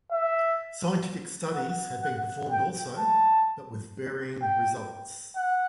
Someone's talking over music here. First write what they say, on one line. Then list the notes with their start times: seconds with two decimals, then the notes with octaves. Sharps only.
Scientific studies have been performed also, but with varying results.
0.12 E5
1.55 F#5
2.03 F#5
2.50 G5
2.98 A5
4.42 G5
5.37 F#5